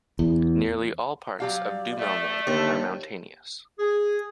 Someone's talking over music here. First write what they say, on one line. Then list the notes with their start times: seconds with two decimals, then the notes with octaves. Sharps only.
Nearly all parts of Dumalneg are mountainous.
0.19 E2
1.40 F#3 G4 D5 F5
1.98 A3
2.47 D#2 D3
3.79 G#4